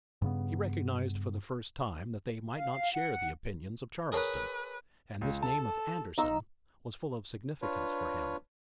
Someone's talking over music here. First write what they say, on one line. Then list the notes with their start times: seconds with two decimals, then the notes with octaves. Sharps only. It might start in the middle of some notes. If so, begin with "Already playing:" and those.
He recognized for the first time that they might not share the opinions of Charleston, and this name of Anderson was full of significance for him.
0.22 G2 C#3 B3
2.54 F5
2.93 F#5
4.12 G#4 A#4 B4 C#5
5.21 C#2
5.43 A4 A5
6.18 D#4 E6
7.62 D4 F4 B4 C#5